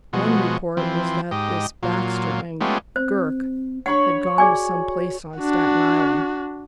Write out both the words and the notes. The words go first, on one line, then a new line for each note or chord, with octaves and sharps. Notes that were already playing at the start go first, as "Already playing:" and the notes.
One report was that this Baxter and Girk had gone to some place on Staten Island.
B2 F3 G#3 F#4
E3 F3 C4
G#2 G4 D#5
A#2 F#3 F4
G#3 A3 B3 C#4 F4 G4
C4 C5
D4 C#5 F#5 B5 C#6
F#4 G#4 D5 G#5
D4 F#4